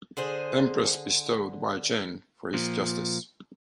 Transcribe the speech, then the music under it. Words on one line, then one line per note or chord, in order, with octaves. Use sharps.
Empress bestowed Wei Zheng for his justice.
D3 G#4 C5
A#2 F3